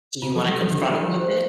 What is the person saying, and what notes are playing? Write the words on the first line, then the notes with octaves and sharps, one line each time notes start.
Do you wanna confront him with it?
C3 F4
F3 A4
G3 G4
F3 A4
D3 G4
F3 D4
G3 F4
F3 G4
G4
C5
C5